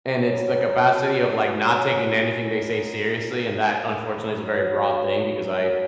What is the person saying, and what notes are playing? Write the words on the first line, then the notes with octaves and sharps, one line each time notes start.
And it's the capacity of, like, not taking anything they say seriously, and that unfortunately is a very broad thing because I
F#3 E5
A#5
C#4 E4 G#5
F#5
F#3 G#4
C#4 E4 F#4
F#3
C#4 E4
F#3
C#4 E4
G#3 G#4
A#4
D#4 G#4
F#4
G#3 G#4
D#4
A#3
D#4
A#3 A#4
B4
D#4 B4
D#5
F#3 E5
D#5
B3 D#4
C#5
F#3
B3 D#4
F#3
A#3